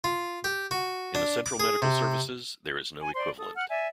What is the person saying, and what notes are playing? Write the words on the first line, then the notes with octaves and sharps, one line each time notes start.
In the Central Medical Services there is no equivalent.
F4
G4
F#4
D4
D6
G#4
C3
G#5
C5 D5 C6
A4 D#6
F#5 F6
D5 E5 G#5